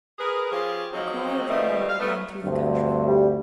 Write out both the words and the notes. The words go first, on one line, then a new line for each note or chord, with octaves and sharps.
A cry of horror ran through the country.
G#4 A#4 B4
F3 C#4 F4 G4 G#4
F3 F#3 G#3 A#3 C4 D#4
B2 D#3 F3 G3 A3
F5
A3 B3
D2 G2 C4
G3